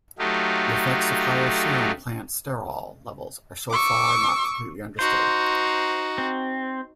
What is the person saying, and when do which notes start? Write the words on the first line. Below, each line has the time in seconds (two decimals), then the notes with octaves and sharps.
The effects of higher serum plant sterol levels are so far not completely understood.
0.19 F#3 A3 D#4 F4 G4
3.71 C#6 D6 E6
4.99 D#4 F#4 C5
6.18 C4